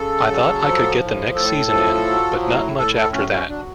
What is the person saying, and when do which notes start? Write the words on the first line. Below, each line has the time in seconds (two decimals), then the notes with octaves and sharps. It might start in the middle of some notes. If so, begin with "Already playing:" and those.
I thought I could get the next season in, but not much after that.
Already playing: C#3 A4
0.28 F#3
0.65 F3
1.00 A2
1.35 A2 A4
1.71 F3
2.07 F#3
2.42 A2
2.78 A2 A4
2.96 A4
3.13 F#3 C#4
3.31 C#4
3.48 F#3 D4